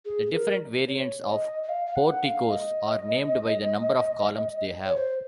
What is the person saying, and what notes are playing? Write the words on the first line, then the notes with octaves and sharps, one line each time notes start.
The different variants of porticos are named by the number of columns they have.
G#4
G#4
A#4
C#5
D#5
D#5
F5
F5
F#5
F5
D#5
C#5
C5